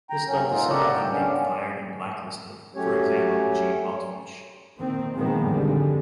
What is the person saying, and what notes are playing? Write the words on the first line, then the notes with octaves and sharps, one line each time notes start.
This led to some of them being fired and blacklisted, for example Gene Weltfish.
G5 A#5
F#2 F#3 C#4
B3 C4 D#4 F4
G4 A4 A#4 C#5 D5 F#5
D#3 G5
C#3 B3 C#4 D4
F#3 A3 C#4 G4 C#5
A#2 D#3 C4
A#2 D#3 F3 G#3 B3
G#1 F2 D3 G3 G#3